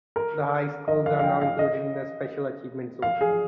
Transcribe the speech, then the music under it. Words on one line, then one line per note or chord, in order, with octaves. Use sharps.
The high schools are now included in a special Achievement Zone.
A#4
D#5
F5
F5
G5
F5
D#5
F5
G#4